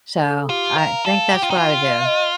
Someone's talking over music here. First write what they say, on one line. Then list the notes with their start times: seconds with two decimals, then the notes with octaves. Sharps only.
So I think that's what I would do,
0.21 A4
0.49 F4 G4
0.77 A#4 F5
1.06 A4 F5
1.34 G4 G5
1.42 F4
1.50 D#4
1.58 F4 G5
1.83 F5
2.05 D#5